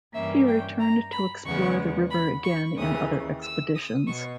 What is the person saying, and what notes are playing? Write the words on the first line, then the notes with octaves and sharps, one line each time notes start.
He returned to explore the river again in other expeditions.
G2 E3 A#3 C#4 E5
G5
A#5
B5
E2 C#3 G#3 B3 C#6
B5
C#6
D#2 C#3 E3 D#6
E6
D#6
B2 C#6